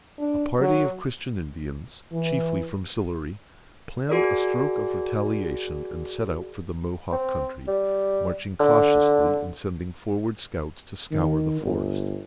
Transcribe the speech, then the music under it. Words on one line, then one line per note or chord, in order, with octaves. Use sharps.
A party of Christian Indians, chiefly from Sillery, planned a stroke of retaliation, and set out for the Mohawk country, marching cautiously and sending forward scouts to scour the forest.
D4
F#3
E3
F#4 G#4 A#4 D5
C4
G3
D3
D#3
G1